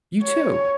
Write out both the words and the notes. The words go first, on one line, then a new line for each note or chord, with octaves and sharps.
You too.
C#5